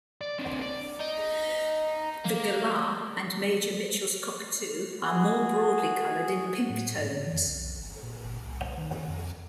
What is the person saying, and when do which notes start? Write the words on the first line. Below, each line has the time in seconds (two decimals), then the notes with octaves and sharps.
The galah and Major Mitchell's cockatoo are more broadly coloured in pink tones.
0.21 D5
0.39 C4 D4
0.62 D5
0.99 D#4
2.25 A#3
5.02 F#4 G#4
6.69 A2
6.98 G#2
7.12 D3
7.33 F2
7.47 B1
7.77 G1
8.03 A#2
8.24 G1
8.43 C2
8.77 D#3
9.08 F2